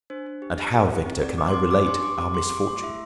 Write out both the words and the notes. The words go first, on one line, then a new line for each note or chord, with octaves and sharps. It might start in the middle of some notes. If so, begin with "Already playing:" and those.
And how, Victor, can I relate our misfortune?
D4 C5
D4
G4
G4
G4
E4
C4
C4 D5
C4 D6
C6
C4 D6
D4 D6
G4 C6
G4 D6
C4 D6
G4 C6
G4 D6
A3 C6
E4 E5